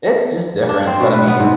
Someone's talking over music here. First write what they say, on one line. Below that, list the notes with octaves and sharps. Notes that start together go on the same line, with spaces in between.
it's just different, but, I mean,
D4
C4
B2
B4
B3
G#2